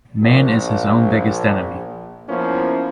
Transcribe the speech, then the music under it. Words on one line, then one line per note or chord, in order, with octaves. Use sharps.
Man is his own biggest enemy.
A#1
F3 A#3 B3 C#4 E4